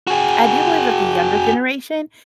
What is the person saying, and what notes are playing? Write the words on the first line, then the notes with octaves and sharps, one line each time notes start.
I do believe that the younger generation
F#4 G#4